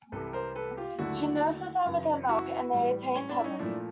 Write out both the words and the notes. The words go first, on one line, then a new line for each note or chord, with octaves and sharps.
She nurses them with her milk and they attain heaven.
C2 C3 E3 A4 B4
A#4 C5
A4 B4
F4 G4
D#2 D3 F#3 A3 E4 F#4
F#2 C#3 E3
E4 F#4
A2 E3 G3
C#4
D4
E4
C#4 D#4
A#2 F3 A3 D4 E4